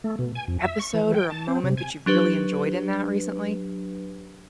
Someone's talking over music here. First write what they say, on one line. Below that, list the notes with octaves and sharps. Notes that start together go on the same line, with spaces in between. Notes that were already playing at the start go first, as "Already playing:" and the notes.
episode or a moment that you've really enjoyed in that recently?
A3
B2
G#5
F2
E5
C#6
E3
G5
A5
C4
C3
G#5
F#3 D4 G4 B4